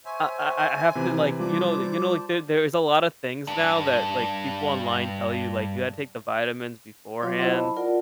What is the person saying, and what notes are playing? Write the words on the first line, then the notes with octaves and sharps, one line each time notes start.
I I I have to, like, you know the you know, like there there's a lotta things now that, like, people online tell you, like, you had to take the vitamins beforehand.
C5 C#5 E5 G#5
C3 E3 C4
G3 F4 C5 D5 A5 D6
G2 D4
F#3 F4 C#5 F5 C6 D6
E4 C5 D#5 F#5
A5 B5
F4 A#4 D5 F#5